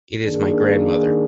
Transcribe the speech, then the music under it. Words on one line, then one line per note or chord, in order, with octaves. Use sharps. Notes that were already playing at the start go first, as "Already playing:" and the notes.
It is my grandmother.
D#3 A#3 D4 G#4